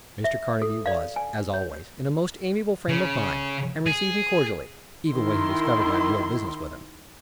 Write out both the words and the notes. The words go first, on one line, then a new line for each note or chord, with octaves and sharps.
Mr. Carnegie was as always in a most amiable frame of mind, and received me cordially, even when he discovered my real business with him.
E5
A4
D5 F5
G#5
C#5
C#3
G#4
D#3 E4 C6